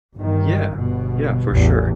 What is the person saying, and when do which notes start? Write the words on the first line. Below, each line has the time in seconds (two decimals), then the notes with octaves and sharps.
Yeah. Yeah, for sure.
0.16 G1 D#3
0.72 G1 B2
1.49 A1 E2